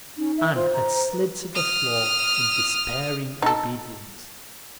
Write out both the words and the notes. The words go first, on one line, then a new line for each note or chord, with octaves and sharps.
Anne had slid to the floor in despairing obedience.
C#4 D#4
E5
F4 C5
A#5
B4
D#6 F6
D#4 A4